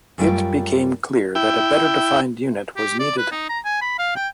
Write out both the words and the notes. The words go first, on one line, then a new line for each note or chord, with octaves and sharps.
It became clear that a better-defined unit was needed.
F#2 G3 A3 F4 G5
E4 G5
G4
D5
B4
D#4
A#5
G#5
B5
F5
G5